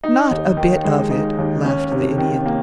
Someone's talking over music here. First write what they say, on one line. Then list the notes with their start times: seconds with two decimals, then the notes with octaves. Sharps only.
"Not a bit of it," laughed the Idiot.
0.04 D#4
0.31 D#2
0.57 D#3
0.84 G#3
1.11 D#4
1.38 D#2
1.65 C#4
1.92 C3
2.18 D#3
2.46 A#3